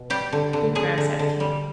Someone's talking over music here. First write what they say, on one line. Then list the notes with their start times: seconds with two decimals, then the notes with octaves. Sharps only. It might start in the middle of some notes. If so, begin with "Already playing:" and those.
Good grass at camp.
Already playing: B2
0.10 G3 G4
0.33 D3
0.53 D3
0.75 D3 G#4
0.98 D3
1.19 D3
1.40 G3